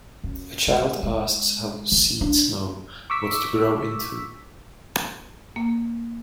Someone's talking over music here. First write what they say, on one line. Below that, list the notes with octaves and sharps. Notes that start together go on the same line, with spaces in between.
A child asks how seeds know what to grow into.
F#2
G#3
G#3
E3
D4
C#6 D6 E6 B6
A#3